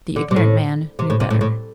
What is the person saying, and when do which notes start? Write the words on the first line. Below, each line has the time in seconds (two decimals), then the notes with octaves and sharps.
The ignorant man knew better.
0.16 D3
0.31 C3
0.36 A2
0.99 C3
1.10 A2
1.20 C3
1.30 A2
1.41 A2